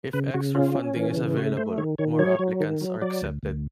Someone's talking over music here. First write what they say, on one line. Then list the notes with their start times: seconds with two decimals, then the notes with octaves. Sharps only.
If extra funding is available, more applicants are accepted.
0.13 C#3 B4
0.34 C#3 F#4
0.55 C#4 F4
0.75 C#4
0.96 E3
1.17 C#3
1.37 A3 F#4
1.57 A3 C5
1.78 D#3 C#5
1.98 D#3 C#5
2.19 F#3 C#5
2.39 F#3
2.60 D#3
2.81 F#3
3.01 F#3 D5
3.22 D2
3.43 D2